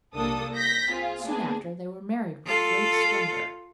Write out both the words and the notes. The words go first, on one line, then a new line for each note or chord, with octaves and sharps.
Soon after, they were married with great splendour.
C2 A#3 D4 A4 D#6
G6 A#6 B6
C4 F4 G#4
A#3 B3 D4 G#4
F4 A4